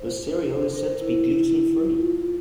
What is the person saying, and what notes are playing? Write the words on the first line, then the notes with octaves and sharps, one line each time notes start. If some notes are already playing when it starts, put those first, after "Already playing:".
The cereal is said to be gluten free.
Already playing: C5
C5
A#4
E4
F4